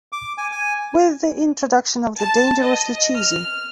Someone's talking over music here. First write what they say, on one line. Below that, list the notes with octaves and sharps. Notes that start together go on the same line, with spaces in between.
With the introduction of the Dangerously cheesy!
D6
G#5
G#5
A5
D#5
F6